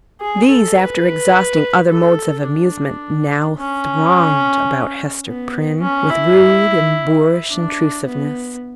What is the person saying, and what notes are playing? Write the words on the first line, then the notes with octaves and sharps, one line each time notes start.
These, after exhausting other modes of amusement, now thronged about Hester Prynne with rude and boorish intrusiveness.
G#4
A4
B4
A4
D4
C#4
B3
C#4
E4
D4
B3